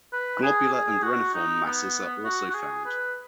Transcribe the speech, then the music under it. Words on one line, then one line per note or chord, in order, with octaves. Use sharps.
Globular and reniform masses are also found.
B4
G#4
G#4
F#4
D#4
B3
F#4
F#4
G#4
B4